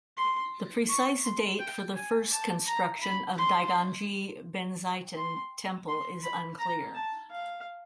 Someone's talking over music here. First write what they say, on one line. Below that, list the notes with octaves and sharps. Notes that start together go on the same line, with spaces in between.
The precise date for the first construction of Daiganji Benzaiten temple is unclear.
C6
C#6
C6
G5
G#5
A5
A#5
B5
C6
C6
C6
B5
A#5
A5
F5